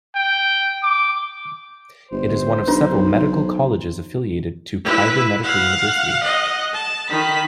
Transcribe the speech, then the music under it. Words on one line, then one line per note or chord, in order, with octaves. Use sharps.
It is one of several medical colleges affiliated to Khyber Medical University.
G5
D6
G1 C5
B1 D4 D#4 B4
E4 B4
F5 F#5
D#5 F#5
A5
D#3 B5